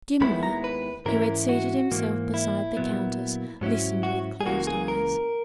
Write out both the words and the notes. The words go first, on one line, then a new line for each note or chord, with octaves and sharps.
Dimmler, who had seated himself beside the countess, listened with closed eyes.
D#2 D#3 G#3 B3 E4 B5
A#5
B4
G#2 E3 G#3 C#4 E4 A#4
F#4
G#2 E3 A#3
E4
A#2 F#3 B3
G#2 F#3 C#4 E4
F#4
G#4
C#2 C#3 E3 A#3 F#4
G#4
A#4